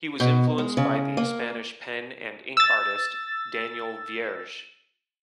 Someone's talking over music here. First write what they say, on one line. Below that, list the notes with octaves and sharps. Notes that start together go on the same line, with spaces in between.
He was influenced by the Spanish pen and ink artist Daniel Vierge.
B2
G#3
C#3
A#3
E6 A6